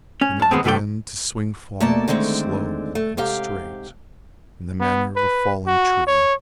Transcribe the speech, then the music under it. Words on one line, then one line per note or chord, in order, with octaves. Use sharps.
Then it began to swing forward, slow and straight, in the manner of a falling tree.
C#4
G2 A5
D#2 G#3 B3 C4
B1 A2 C3 A3 D5 G5
B2 A3 A#3 D5 A5
D3 D#3 G#3 A3 C4
A3
G#2 C3 G4 F5
B3
B4
F#4
C#5